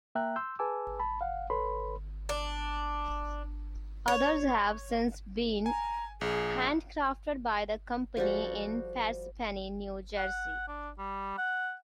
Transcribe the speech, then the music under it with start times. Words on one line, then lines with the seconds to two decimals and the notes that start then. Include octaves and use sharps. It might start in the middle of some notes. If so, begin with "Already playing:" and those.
Others have since been handcrafted by the company in Parsippany, New Jersey.
0.15 A#3 E5 G5 A#5 F#6
0.36 C6 E6 G6
0.59 G#4 B4 G#5 A5 D6 E6
0.99 A5 B5
1.21 F5 F#5
1.50 A4 B4 C#5 B5 C6
2.29 D4
4.08 C#5
5.66 G#5 A#5
6.21 A#1 G#4
8.17 F3 G3 F#4 A4
10.17 F#5
10.68 D4
10.98 G3
11.38 F#5